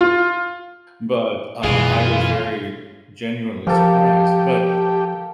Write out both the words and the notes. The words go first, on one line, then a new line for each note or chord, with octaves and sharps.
But, uh, I was very, genuinely surprised, but
F4
F#2 B2 E3 G#3 F4
F3 A#3 G4 A4